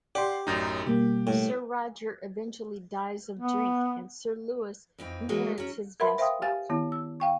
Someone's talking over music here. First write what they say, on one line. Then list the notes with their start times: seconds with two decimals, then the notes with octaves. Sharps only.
Sir Roger eventually dies of drink and Sir Louis inherits his vast wealth.
0.15 G4 D5 F#5 C6
0.47 A1 F#2 D#4
0.87 B2 G3 A#3 G4
1.27 A2
3.39 B3
4.98 F2 E3 C4 D#4
5.29 E3 F#3 G#3 A#3 B3
5.58 F#3 C#4
6.00 A#4 B4 E5 F#5 B5 C6
6.18 C5 E5 F5 G5 C6 D#6
6.42 G4 F5 G#5 A6
6.69 D#3 B3 E4
6.92 E6
7.20 F5 G5 C#6